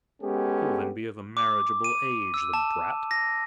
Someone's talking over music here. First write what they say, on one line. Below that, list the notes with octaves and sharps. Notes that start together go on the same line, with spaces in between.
He will then be of a marriageable age, the brat!
G#3 B3 C#4 G4 A4
D6
D#7
E6
A5
A#6